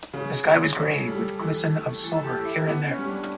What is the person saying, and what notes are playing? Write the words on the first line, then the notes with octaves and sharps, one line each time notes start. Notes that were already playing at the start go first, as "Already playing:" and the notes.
The sky was grey, with glisten of silver here and there.
C#3
C#3
C#3 A4
G3
E3 A4
A3
E3 A4
A4
G4
A2
E4
B3
C#4
G3
D4